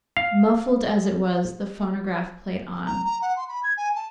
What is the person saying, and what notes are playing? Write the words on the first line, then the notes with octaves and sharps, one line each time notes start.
Muffled as it was, the phonograph played on.
F5
A#5
A#5
F#5
C6
B5
G#6
G#5
A5